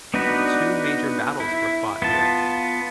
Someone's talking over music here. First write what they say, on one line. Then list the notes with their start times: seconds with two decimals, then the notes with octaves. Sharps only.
Two major battles were fought here.
0.14 B3 D4 D#4 F#4 B4
1.40 E4
2.02 B3 F4 A5